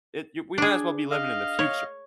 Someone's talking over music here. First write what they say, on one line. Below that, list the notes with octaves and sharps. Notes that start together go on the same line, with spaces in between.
it you We might as well be living in the future
D4 G#4
D#5 F5
C#5